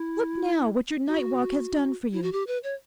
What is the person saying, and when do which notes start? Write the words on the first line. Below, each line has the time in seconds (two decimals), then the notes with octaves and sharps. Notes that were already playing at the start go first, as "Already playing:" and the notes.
Look, now, what your night walk has done for you!
Already playing: E4
1.07 F#4
2.13 E4
2.22 F#4
2.32 G4
2.47 B4
2.64 C#5